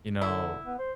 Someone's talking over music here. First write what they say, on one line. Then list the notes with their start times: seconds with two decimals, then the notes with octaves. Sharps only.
you know
0.22 D3 E4
0.66 B3
0.79 C5